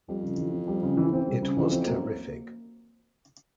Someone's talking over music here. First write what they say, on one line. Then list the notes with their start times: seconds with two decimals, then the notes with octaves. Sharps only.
It was terrific.
0.09 F2 G3
0.23 C#3
0.38 E3
0.53 C4
0.67 G3
0.82 C#3
0.97 E3
1.13 C4
1.27 G3
1.42 C#3
1.57 F2 E3
1.72 C4
1.86 F#2 A#3